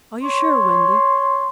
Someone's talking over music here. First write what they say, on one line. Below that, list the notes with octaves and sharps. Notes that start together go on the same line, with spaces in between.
"Are you sure, Wendy?"
C#5 C6